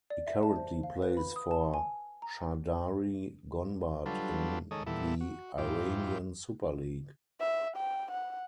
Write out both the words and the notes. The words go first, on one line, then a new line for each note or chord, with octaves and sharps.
He currently plays for Shahrdari Gonbad in the Iranian Super League.
D5
E5
A5
C5
F5
B4
B5
D#6
A5
G#5
A#5
F#3 G3 D4 F4 A4 B4
D#3 G#3 A4 C#5 D#5
A#2 E3 G3 B3 E4 A4
F#4
F2 G#2 E4 F4 G4 D6
E5
G5
F#5